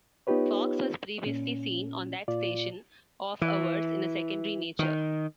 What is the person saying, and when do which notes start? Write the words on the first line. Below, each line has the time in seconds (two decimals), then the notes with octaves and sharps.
Fox was previously seen on that station off-hours in a secondary nature.
0.27 B3 D#4 F4 G4 B4 C#5
1.26 A#2 C#4
2.28 A#2 F4 D5
3.41 E3
4.79 D#3